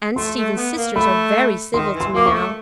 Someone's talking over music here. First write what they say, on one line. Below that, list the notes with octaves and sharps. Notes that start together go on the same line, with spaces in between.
And Stephen's sisters are very civil to me now.
A3 C6
A3
B3
A#3
A3 B5
D#3 C6
E3
C6
A#3 D6
C#6
A3